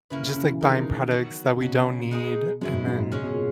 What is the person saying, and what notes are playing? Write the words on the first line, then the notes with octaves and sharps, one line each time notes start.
just like, buying products that we don't need and then
C#3 A#3 C#4 E4 B4
C#3
C#3
E3
D#3 G#3 D#4 A#4
F#3 B3 F#4
C#3
B2 F#3 A#3 C#4 F#4
G#3 D#4 G#4
F#2 G#3 C#4 E4
G#2
F#2
G#2
C#3 G#3 C#4 G#4 C#5
B2
A#2